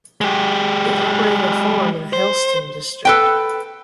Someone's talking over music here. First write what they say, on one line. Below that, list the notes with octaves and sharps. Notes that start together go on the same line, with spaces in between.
He operated a farm in the Helston district.
G#3 G4
C5
A4 B4 G5